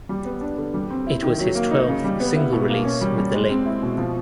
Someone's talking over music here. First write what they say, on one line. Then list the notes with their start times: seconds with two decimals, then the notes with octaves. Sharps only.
It was his twelfth single release with the label.
0.09 G3
0.25 B3
0.41 D4
0.58 D3
0.74 G3
0.91 C4
1.07 E4
1.23 D#3
1.39 F#3
1.55 A#3
1.71 D#4
1.87 C#3
2.04 G3
2.20 B3
2.36 E4
2.52 B2
2.69 A#3
2.85 C#4
3.01 G3
3.17 G3
3.33 G#3
3.50 C4
3.66 E4
3.82 B2
3.98 F3